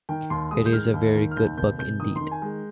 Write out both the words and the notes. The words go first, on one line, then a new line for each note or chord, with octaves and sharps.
It is a very good book, indeed.
D#3 G5
D#2 C6
G#3 D#6
G6
D#3 F6
D#2
D#3
F6
D#2 G6
F1 G6
F1 G6
D#3 D#6
C6
D#3
G#5
G#3